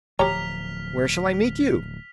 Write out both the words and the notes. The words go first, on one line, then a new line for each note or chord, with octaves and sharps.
"Where shall I meet you?"
D1 F3 G4 C#5 A#5 F6 B6 F7